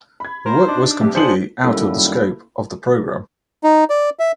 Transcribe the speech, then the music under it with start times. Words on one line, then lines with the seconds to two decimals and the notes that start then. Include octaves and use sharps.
The work was completely out of the scope of the program.
0.20 B5 G#6
0.46 A#4 C5
0.68 D4 D#4
1.01 C2 G2 C3 G4
1.15 D4 F4 G#4 C5 G6 C#7 F#7
1.64 F#2 D#3 G3 A#3 E4 A4
3.63 D#4
3.90 D5
4.19 E5